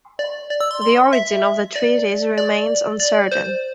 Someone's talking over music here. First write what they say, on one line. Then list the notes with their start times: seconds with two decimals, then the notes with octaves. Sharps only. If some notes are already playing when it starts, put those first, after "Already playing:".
The origin of the treatise remains uncertain.
0.19 D5
0.50 D5
0.61 E6
0.71 C6
0.82 C6
1.13 E5
1.76 D5
2.38 D5
3.00 D5
3.32 C5